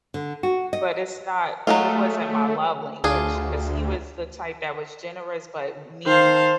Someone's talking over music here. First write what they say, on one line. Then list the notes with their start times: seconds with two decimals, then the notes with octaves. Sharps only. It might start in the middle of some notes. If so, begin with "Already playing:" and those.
but it's not it wasn't my love language 'cause he was the type that was generous but mean,
0.14 D3
0.43 F#4
0.73 D#5
1.67 F#3 G#3 A3 F4
3.04 D2 D4 F4 G#4
6.06 D#3 C5 F5 A5